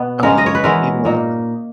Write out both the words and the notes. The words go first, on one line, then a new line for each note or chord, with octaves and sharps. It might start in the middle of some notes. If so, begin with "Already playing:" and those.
um, even though I'm not a
Already playing: B2 B3
C#3 G#3 D#4 A#4
D#5
C#5
B4
E3 G#3 B3 E4 A#4
A#2 A#3 D#4